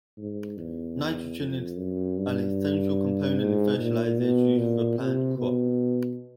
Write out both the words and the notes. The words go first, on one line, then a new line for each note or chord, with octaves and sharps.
Nitrogen is an essential component in fertilizers used for plant crops.
G#2
E2
F2
F#2
G2
G#2
A#2
B2
A#2
C3
B2